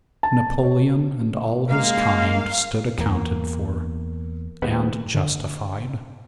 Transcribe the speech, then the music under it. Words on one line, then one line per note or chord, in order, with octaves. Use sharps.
Napoleon and all his kind stood accounted for--and justified.
A5
C#5
G#3 A#3 F5
E2 A#3
D#1 D#2 G#2 B3
D3